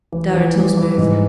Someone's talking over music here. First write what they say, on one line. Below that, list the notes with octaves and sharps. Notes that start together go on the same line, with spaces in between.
Stir until smooth.
E3
E3
G3
E3
G#2